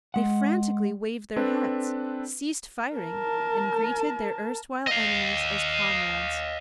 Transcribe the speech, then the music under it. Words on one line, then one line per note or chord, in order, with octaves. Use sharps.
They frantically waved their hats, ceased firing, and greeted their erstwhile enemies as comrades.
G#3 F#5
C4 D4 A4 B4
A#4 A5
D#5 F5